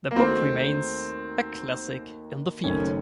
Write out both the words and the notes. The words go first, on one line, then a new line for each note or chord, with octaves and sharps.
The book remains a classic in the field.
A#3
D#2 D#3 A3 C4 D#4 F#4
F#1 F#2 D#3 A3 C4 C#4